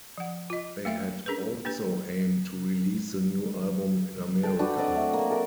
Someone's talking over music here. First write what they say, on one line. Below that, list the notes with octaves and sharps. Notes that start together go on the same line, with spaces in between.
They had also aimed to release the new album in America.
F3 F#5
F4 D#5
A3 A#3 E5 F5
C#4 D4 G#4 A#4 B4
A#3 D4 G4 B4
A4 G5
D4 F#4 B4
F#3 C4 D5 D#5
A3
A#3
A4 A#4